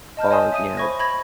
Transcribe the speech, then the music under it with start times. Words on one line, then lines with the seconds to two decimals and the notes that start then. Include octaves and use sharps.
or, you know
0.17 D#5 A5 F6 G6
0.30 C#5 D#5 G#5 A5 C6 D#6
0.52 E5 D#6 D#7
0.77 C5 B5 C#6 G#6 A#6
1.00 B5 G#6 A#6